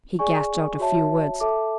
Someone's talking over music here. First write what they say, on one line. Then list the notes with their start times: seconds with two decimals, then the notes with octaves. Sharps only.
He gasped out a few words.
0.19 G#4 D5 G#5 C#6
0.80 F#4 C#5 E5 A5
1.40 A4 E5 A5 D6